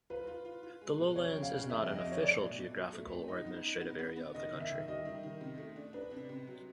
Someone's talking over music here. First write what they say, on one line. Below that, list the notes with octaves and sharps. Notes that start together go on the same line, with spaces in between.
The Lowlands is not an official geographical or administrative area of the country.
F4 B4
F4
F4
F4
G#3
B2
F2 C#5
C#3
F5
C#3
F2 E5
F2
D#5
F2
C#5
A3 D5
B2
B2
F#3
A3
C4
D#4 D#5
B3
D#4
B3
B3
B3
D#3 D#5
D#3
E5
D#3
G3 D#5
D#3
D#3
C3
A3
D4
D4 B4
C3
C3
F#3